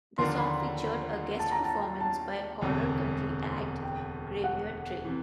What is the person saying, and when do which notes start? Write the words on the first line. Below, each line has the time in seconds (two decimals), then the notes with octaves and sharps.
The song featured a guest performance by horror-country act, Graveyard Train.
0.18 D#2 D3 F3 A#3 D4 C6
0.38 B5
0.58 A#5
1.39 A5
1.51 A#5
1.64 A5
2.00 A5
2.61 E1 D2 C3
3.83 G5
4.44 F#5
5.04 C3 E3